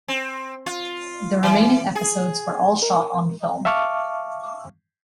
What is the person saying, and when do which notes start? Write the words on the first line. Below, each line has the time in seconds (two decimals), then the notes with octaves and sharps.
The remaining episodes were all shot on film.
0.08 C4
0.66 F4
1.43 E3
1.95 G#4
2.82 A#4
3.65 E5 F5 A5 C#6 D6 F6